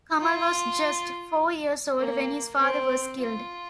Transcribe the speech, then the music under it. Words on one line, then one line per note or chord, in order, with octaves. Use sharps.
Kamal was just four years old when his father was killed.
F4
A#3
C4
F4